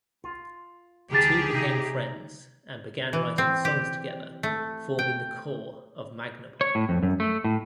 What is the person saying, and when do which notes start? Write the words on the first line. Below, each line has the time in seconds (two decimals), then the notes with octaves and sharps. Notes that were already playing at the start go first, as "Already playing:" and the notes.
The two became friends and began writing songs together, forming the core of Magnapop.
0.24 F4
1.11 C#2 D#3 G4 G#4 A5
1.53 C3 D#4
3.13 E3
3.38 C4
3.65 G4
4.43 A3
4.99 G5
6.61 C#5
6.75 A2
6.89 F2
7.03 F#2
7.20 A3
7.44 A2